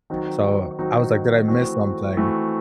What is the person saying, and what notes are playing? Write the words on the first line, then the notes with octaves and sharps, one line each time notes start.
so I was like, "Did I miss something?"
D#3 F#3 C4 D#4 F#4
D#3 F#3 C4 D#4 F#4
E3 A3 C4 F#4
E3 A3 C4 F#4